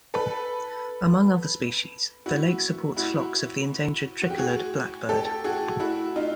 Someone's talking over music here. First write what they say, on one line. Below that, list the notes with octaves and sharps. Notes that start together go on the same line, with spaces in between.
Among other species, the lake supports flocks of the endangered tricolored blackbird.
A4 B4
E4 F#4
E4 F#4
F#4
G4
F#4 G#4
G4 A4
F#4 G#4
E4 F#4
D#4 F4